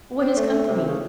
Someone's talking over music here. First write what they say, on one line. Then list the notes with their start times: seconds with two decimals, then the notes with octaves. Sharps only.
What is come to me!
0.21 C4
0.37 A3
0.68 C3
0.86 C#3